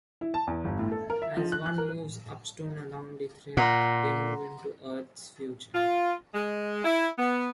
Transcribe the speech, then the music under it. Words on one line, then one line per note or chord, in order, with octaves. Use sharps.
As one moves Upstone along the thread, they move into Earth's future.
E4
A5
E2
G1
A2
A4
A#4
E5
F3
F#6
F#6
A#4
A#2 F#5 A#5 C6
F4
G#3
E4
B3